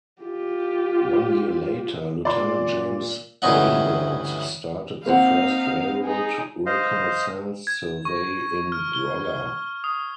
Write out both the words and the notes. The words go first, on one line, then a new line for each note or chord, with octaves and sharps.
One year later, Lieutenant James Abert started the first railroad reconnaissance survey in Rolla.
F4 G4
A#2 D5 C6
D2 G2 E3 C#4 D#4 F#5
A#3 C4 D#4 F5 F#5
D#4 G#4
C5 D#5 F5
G#6
C#6
F6
G7
D#6